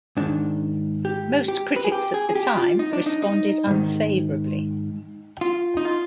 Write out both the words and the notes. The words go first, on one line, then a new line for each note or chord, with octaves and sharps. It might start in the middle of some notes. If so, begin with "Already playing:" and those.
Most critics at the time responded unfavorably.
G#2 D#3 D4
G4
G4
B4
G#4
G4
G#4
G#4
G4
F4
D#4
D4
D#4
D#4
G#2 D#3
F4
D#4
F4